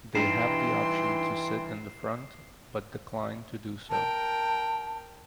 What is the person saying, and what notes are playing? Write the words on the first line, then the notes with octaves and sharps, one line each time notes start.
They have the option to sit in the front, but decline to do so.
G2 E3 D#4 G5 C6 C7 E7
A#4 G5 A5